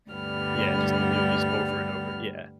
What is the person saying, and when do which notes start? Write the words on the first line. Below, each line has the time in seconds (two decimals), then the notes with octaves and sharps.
Yeah, and just to lose over and over, yeah.
0.11 D2 G2 D3 G3 B3 F6